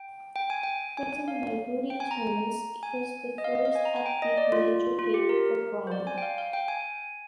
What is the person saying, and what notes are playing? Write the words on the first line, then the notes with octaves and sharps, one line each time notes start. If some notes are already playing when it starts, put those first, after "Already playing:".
Written by Rudy Toombs, it was the first upbeat major hit for Brown.
Already playing: G5
G5
G#5
G5
G#5
G#5
F5
G5
G#5
A#5
G#5
D#5
F5
D#5
F5
G#5
A#5
G#5
G5
D#5
D5
F4
F4
G4
A#4
C5
D5
G#5
G5
F5
F5
G5
G#5